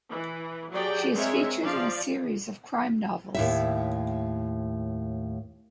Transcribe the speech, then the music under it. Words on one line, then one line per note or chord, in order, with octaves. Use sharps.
She is featured in a series of crime novels.
E3
F#3 G4 G#4 D5 G5
G#3 C4 A#4 C#5 E5
F3 D5 F5
D#2 A2 E5